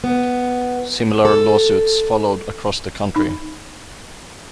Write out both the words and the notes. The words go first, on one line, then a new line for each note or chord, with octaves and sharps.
Similar lawsuits followed across the country.
B3
A4
D#4